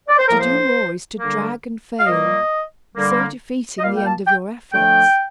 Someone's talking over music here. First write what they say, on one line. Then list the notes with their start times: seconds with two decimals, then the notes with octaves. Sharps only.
To do more is to drag and fail, so defeating the end of your efforts.
0.09 D5
0.18 C5
0.28 A2 F3 A#3 A#4
0.39 C5
1.19 D3 G3 A#3
1.99 F5
2.07 A#2 G3 A#3 D#5
2.95 D3 G3 A#3
3.79 D#5
3.83 A#2 F5
3.86 G3 A#3
3.97 G5
4.06 A5
4.27 G5
4.72 D3 F3 A3 G5